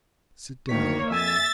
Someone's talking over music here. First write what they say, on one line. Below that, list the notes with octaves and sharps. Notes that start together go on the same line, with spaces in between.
Sit down.
D2 D#3 A#3 C#5 B6
F2 E5 G#5 E6 A6